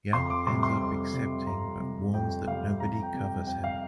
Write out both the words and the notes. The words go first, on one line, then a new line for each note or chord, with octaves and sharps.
Young ends up accepting but warns that nobody covers him.
F2 C6
D6
C3 G3 C6
C6
F2
C3 G3
F2 A#5
C3 G3
F2 G5
C3 G3 F5
F2 A#5
G5
C3 G3
G5
F2 G5
F5